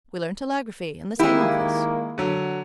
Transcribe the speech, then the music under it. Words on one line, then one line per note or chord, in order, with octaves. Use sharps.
We learned telegraphy in the same office.
D#3 G#3 A#3 E4 G4
D3 F#3